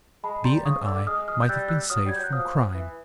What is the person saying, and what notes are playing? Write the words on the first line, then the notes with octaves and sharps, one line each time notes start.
B. and I might have been saved from crime.
G#3 A5 B5
G3 A#5 C6
C#3 C#6 D#6
D3 D6 E6
G#3 D#6 F6
D#6 F6
G6
G3 E6 F#6
E6 F#6
F#3 D#6 F6
G3 G#6
F#3 G6
F#6
F3 D#6 F6
E3